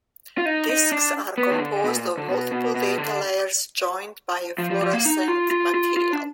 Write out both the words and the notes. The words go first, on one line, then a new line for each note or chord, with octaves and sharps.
Discs are composed of multiple data layers joined by a fluorescent material.
F4
D#4
D#4
D4
B3
D#3
D3
B2
A#2
D3
B2
B2
B2
D3
F3
F3
F3
A#3
D#4
F4
F4
F4
F4
D4